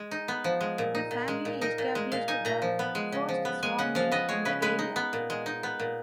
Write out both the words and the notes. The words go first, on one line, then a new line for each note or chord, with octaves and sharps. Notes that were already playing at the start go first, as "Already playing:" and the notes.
The family established the first sawmill in the area.
Already playing: G#3
D#4
B3
F3
G#3
A#2
D#4
A#2
G#3
A#2
D#4 A#4
A#2
G#3
A#2 F5
D#4 G#5
A#2 A#5
F3
B3
G#3
C#3
F3
B3
G#3 G#5
C#3 F#5
F3 F5
B3 D#5
G#3 C#5
C#3 B4
G#3 B4
D#4
B3
A#2
G#3
D#4
B3
A#2